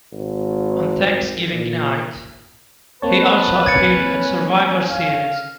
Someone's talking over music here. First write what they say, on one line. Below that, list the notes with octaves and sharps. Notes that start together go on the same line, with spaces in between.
On Thanksgiving night, he also appeared at Survivor Series.
G#1
A#2
A#3 C4 B4 C#5 A5
C#4 G#6 A6 C#7
F5